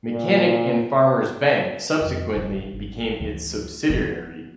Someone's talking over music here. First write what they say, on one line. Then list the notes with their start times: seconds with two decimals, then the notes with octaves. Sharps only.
Mechanic and Farmers Bank subsequently became its subsidiary.
0.11 A#2
2.01 F2
2.35 E1 A1 G2
2.73 G#1
3.20 D2 E3 A3
3.90 F3 B3 D#4